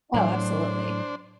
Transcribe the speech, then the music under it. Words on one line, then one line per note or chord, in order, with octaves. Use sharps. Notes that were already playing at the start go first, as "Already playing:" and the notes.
Oh, absolutely,
A2 F#3 D4 C5